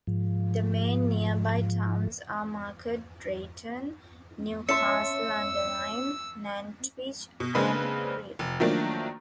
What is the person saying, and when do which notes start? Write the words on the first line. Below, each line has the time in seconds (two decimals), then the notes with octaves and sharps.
The main nearby towns are Market Drayton, Newcastle-under-Lyme, Nantwich and Crewe.
0.07 G#2 F3
4.69 C#4 E5 A5 C6 E6 C#7
7.40 B2
7.55 C#3 G#3 A#3 C4 D4 B4
8.39 F1
8.60 D#3 F3 F#3 A3 A#3 D4